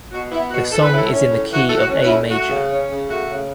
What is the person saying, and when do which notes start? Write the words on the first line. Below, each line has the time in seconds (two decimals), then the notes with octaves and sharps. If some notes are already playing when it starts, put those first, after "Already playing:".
The song is in the key of A major.
0.12 B2 F#4
0.31 B3 E4
0.51 B2 F#4
0.71 E3 A4
0.83 B4
0.91 A2 E4 A4
1.11 C#4
1.30 A2
1.50 E3 F#4
1.66 A2 A4
1.77 F#4
1.90 C#4
1.98 F#4
2.04 E4
2.10 A2
2.29 A3 F#4
2.49 C#3
2.69 C#4
2.89 C#3
3.09 A3 F#4
3.29 C#3